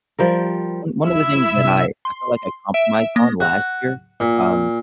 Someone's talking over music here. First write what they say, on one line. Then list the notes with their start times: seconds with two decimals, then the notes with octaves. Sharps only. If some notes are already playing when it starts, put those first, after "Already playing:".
one one of the things that I I felt like I compromised on last year- um,
0.19 F3 G3 A#4
1.03 E4 E5
1.54 C3
2.05 C6
2.74 E5 D7
3.16 A#3 A#6
3.40 F#4
4.20 A#2